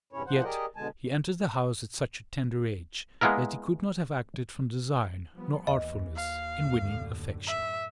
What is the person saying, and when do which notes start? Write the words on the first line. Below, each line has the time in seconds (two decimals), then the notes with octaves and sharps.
Yet he entered the house at such a tender age that he could not have acted from design nor artfulness in winning affection.
0.13 E2 G2 C3 C#4 E4 C#5
0.27 A2 F3 C5 F#5
0.44 G4 G#4 A#4 D5 D#5
0.76 B2 D3 G#3 G#5 A5
3.21 G#3 A#3 B3 E4 A#4
5.34 F3 G3 B3
5.67 D#2 E3 D#5
6.16 F5
6.59 F#2 A2 D3
7.47 E5